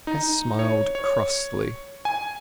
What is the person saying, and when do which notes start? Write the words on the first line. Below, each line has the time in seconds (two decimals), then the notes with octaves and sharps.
Tess smiled crossly.
0.07 D#4
0.59 C#5
0.95 C#5
2.05 G#5